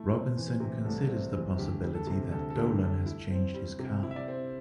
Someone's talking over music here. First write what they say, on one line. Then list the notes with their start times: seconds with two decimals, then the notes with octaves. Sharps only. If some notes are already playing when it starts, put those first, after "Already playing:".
Robinson considers the possibility that Dolan had changed his car.
Already playing: A3 E4
0.11 C4
0.37 E3
0.60 C3
0.85 C2 A4
1.10 C4
1.34 E3
1.58 D2 G4
1.83 G3
1.95 A4
2.07 C3
2.32 D2 A4
2.50 A4
2.56 D2 G4
2.81 G3 A4
3.06 E4
3.30 C4
3.54 G3
3.79 C3
4.03 E4
4.11 E5
4.16 D5
4.28 C4